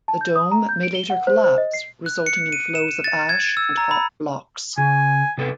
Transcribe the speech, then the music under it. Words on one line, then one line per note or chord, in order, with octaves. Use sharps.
The dome may later collapse, resulting in flows of ash and hot blocks.
A5
G6
D#6
A#5
G6
D7
G7
F#5
C5
C5
D#5
C7
F#6
C#7
D#7
E7
D#7
A6
G#6
A6
E6
A#5
B5
C#3 G#5
C3 B3 A4